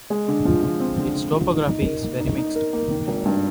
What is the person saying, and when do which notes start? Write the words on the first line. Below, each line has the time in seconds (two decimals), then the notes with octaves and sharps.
Its topography is very mixed.
0.10 G#3
0.28 D3
0.45 F3
0.63 F3
0.80 C4
0.98 D3
1.16 D3
1.33 F3
1.50 D#4
1.68 D#4
1.85 A#4
2.03 A#3
2.20 D#4
2.38 D#4
2.55 A#4
2.73 A#3
2.91 D#3
3.08 G#1
3.25 G2